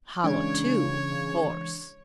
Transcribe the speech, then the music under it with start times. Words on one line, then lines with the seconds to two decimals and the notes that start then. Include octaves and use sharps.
"Hollow, too, of course?"
0.24 C#3 E3 G#3 D4 C#5 G#6